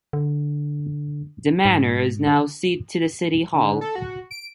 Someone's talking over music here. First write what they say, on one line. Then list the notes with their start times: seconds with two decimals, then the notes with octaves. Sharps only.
The Manor is now seat to the city hall.
0.13 D3
1.65 G#2
2.27 D3
3.54 D3
3.81 A4
3.95 F#4
4.31 D7